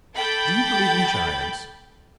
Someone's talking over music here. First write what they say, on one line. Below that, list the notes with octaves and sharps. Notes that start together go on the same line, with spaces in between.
Do you believe in giants?
A4 G5 B5 D6 G6 A6